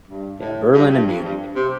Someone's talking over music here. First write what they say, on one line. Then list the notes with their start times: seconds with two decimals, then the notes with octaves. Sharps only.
Yeah, Berlin and Munich.
0.07 G2
0.40 A2
0.73 G2
0.90 G2
1.06 F2
1.23 G2
1.55 C3